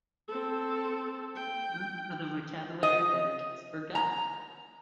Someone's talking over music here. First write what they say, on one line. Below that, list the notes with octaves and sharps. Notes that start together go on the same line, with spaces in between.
Much of the vocabulary bank is forgotten.
C4 A4
G5
D#5
A#5